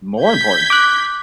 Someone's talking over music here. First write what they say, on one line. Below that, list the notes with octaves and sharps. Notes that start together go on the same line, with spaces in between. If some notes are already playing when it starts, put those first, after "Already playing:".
More important.
G6 G#6 B6
D6 F#6